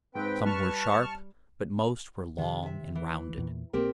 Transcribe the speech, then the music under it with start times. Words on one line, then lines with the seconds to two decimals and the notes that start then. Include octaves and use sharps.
Some were sharp, but most were long and rounded.
0.15 G#2 C4 B4 G5
0.45 G3 A5 C#6 F6
2.38 C3 D#3
2.63 C3 E5
2.95 E3
3.37 E2 A#2
3.73 A#1 A#3 C4 G4 A#4